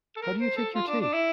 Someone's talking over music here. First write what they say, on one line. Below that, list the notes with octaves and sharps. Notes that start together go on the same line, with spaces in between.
How do you take your tea?
A4
A#4
C5
A4
F4
D4
D4
E4